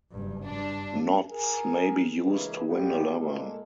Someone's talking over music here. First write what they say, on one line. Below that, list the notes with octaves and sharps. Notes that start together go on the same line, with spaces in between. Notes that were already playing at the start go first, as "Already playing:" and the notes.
Knots may be used to win a lover.
F#1 G2
G2 D4
G#4 A#4 G#5
C#3 E3 G#3 A#3 G#4 B4
A3 B3 D4 F4 G4
A#2 G#3 A#3 A4